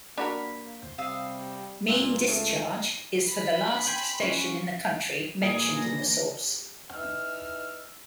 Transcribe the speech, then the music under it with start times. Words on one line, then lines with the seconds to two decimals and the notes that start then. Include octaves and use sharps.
Mean discharge is for the last station in the country mentioned in the source.
0.18 A#3 D4 F#4 A#4 B5
0.98 C3 G3 F5 D#6 E6
1.88 C#2 A#2 E6 F#6
2.28 C#3 A3
3.28 B5
3.87 G5 G#5 C6
4.20 F#3 C#4
5.41 A#2 E3 G#4 A#4
5.74 A#3 D4 A#6
6.94 E3 D#4 E6 F6